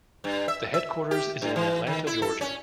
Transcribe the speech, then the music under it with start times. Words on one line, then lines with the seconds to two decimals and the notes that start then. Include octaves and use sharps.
The headquarters is in Atlanta, Georgia.
0.24 G2
0.48 E5
0.74 E5
1.11 G4
1.42 G2
1.56 E3
1.87 D#3
2.07 E4
2.22 A4
2.41 C#4